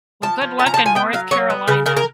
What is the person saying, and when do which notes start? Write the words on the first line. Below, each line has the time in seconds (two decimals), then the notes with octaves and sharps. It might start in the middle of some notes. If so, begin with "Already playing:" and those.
Well, good luck in North Carolina.
0.22 F3 A5
0.41 F3
0.59 C#4 A5
0.66 A#5
0.74 A5
0.77 F3
0.86 G#5
0.95 B3 G5
1.13 F#3 F5
1.31 F#3 C#5
1.50 B3
1.68 C#3 B4
1.86 C#3 A#4
1.97 A#4